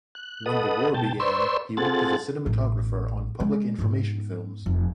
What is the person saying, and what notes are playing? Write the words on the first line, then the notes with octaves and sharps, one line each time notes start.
When the war began he worked as a cinematographer on public information films.
F#6
A4 B4 D#5 F#5 D#6
B2 G5 A5
B4 C5 D5 C6 C#6 E6
C4 F4 G#4 A4 F#5 A6
A1 B2
G#3
G#2 B3
F1